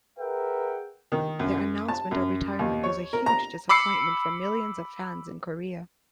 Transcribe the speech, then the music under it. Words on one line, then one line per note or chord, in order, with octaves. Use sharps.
Their announcement of retirement was a huge disappointment for millions of fans in Korea.
G#4 A#4 B4 E5 F#5 G5
D#3
F#2
A5
F#2
D#2
C#5
A#4
A#5
B5 D6 E6 C7 C#7